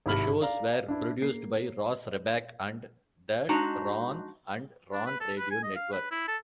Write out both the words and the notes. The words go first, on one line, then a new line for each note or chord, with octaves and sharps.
The shows were produced by Ross Reback and The Ron and Ron Radio Network.
G#1 C3 E4 B5 F6 F#7
D5 F5 A#5
D4 E4
A#3 C7
G#3 D4 D#4 F#4 A5 A#5
D4
B4
A4
B4
G#5
D#5
F5
B4
E4
A4